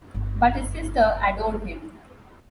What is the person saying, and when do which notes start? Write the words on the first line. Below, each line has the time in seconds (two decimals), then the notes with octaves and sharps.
But his sister adored him.
0.14 G1 F#2